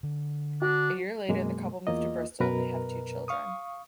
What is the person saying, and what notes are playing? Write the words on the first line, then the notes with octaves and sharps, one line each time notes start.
A year later, the couple moved to Bristol; they have two children.
D3
D4 F#4
F#2 B2 G#3 A#3
E2 A#3 F4 D#5
F#2 B2 A#4 B4 A#5
F5 C#6 D#6